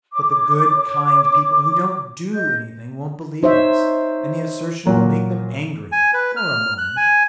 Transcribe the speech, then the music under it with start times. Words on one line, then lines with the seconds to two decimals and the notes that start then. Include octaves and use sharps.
But the good, kind people who don't do anything won't believe this, and the assertion will make them angry--for a moment.
0.13 C#5 D6
2.34 D#5 G6
3.43 D#4 C5 C#5 E5
4.85 A#2 F#3 A#3
5.92 G#5
6.14 B4
6.36 F6
6.78 F#6
6.97 G#5